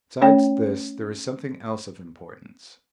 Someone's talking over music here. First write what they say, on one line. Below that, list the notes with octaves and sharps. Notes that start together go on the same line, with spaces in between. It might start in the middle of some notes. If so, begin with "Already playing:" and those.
But besides this there was something else of importance.
A3 C#4 C#5 G5